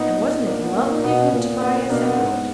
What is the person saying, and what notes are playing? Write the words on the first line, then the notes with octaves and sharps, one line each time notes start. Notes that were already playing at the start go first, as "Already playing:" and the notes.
And wasn't it lovely of him to buy us out?
Already playing: A#2 B3 D#4
A#3 D4
B3
A#3
B2 B3
A#2
B3
B3
B2 A#3 D4
B3
G#2 B3